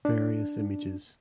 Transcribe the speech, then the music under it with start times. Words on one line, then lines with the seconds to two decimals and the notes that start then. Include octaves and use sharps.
Various images.
0.05 D4